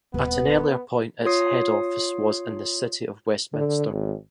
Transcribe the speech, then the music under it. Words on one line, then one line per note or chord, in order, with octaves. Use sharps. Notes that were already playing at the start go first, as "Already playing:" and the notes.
At an earlier point its head office was in the City of Westminster.
D#1 B3 B4
F4 C#5 D#6 C7
D3
G#1